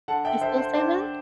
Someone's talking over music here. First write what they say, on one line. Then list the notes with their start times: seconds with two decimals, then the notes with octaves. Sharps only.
they still say that?
0.08 D3 F#5 A5
0.25 E5 G5
0.41 D3 C5 E5
0.58 C5
0.74 D4 C5